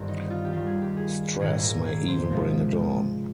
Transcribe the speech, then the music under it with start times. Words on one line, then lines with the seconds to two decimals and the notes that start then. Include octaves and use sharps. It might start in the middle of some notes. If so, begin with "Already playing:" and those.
Stress may even bring it on.
Already playing: G1 G2 D#3 G3 A#3 C4
0.08 D#4
0.30 F4
0.45 G4
0.52 D#2 D#3 G3 F4
0.67 G#4
0.82 G4
0.97 G#4
1.39 A#1 G#2 D#3 G#3 G#4
1.63 A#4
1.86 G#4
2.08 C5
2.30 C#2 C3 F3 G#3